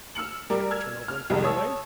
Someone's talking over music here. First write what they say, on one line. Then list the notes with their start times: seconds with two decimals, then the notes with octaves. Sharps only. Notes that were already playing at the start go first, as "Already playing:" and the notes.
Can it turn over and crawl away?
0.15 E6 F6 C#7 F#7
0.50 G3 A#4 D5
0.71 E6 F6 G#6
1.08 F6
1.30 C2 F2 G3 G#3
1.44 C#5 A5 D#6 E6